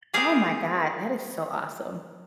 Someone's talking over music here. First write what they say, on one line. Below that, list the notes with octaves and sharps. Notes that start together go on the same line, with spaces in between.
Oh my God, that is so awesome.
F4 G4 G#4 A#4 F5